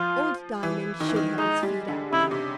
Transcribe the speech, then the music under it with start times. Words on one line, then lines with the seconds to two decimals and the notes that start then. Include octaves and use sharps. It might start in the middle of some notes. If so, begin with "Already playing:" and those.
Old Diamond should have his feed out now.
Already playing: F3 F4
0.63 E3
1.00 D#3
1.09 E3
1.16 D#3
1.38 G#3 D#4
1.63 G3
1.88 D3
2.13 C#3 E4
2.31 C3